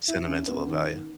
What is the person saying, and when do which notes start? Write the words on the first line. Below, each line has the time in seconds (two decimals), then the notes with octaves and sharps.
Sentimental of value.
0.08 E4
0.28 C#4
0.47 B3
0.67 D#3